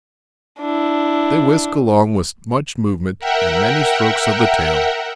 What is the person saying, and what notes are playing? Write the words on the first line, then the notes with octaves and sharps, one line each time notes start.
They whisk along with much movement and many strokes of the tail.
D4 E4
A#4 E5 F#5 G5